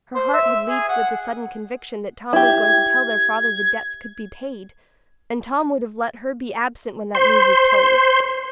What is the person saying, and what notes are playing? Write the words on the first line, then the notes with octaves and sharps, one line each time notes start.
Her heart had leaped with the sudden conviction that Tom was going to tell their father the debts could be paid; and Tom would have let her be absent when that news was told!
C5
E5
G#4
F#5
E4 G4 G#6
C5 C6